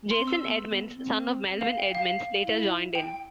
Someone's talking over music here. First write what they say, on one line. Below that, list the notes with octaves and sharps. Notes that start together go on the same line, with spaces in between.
Jason Edmonds, son of Melvin Edmonds, later joined in.
C6
C4
E6
B3 E6
B3
C4
F5
G5
F5
E4
G5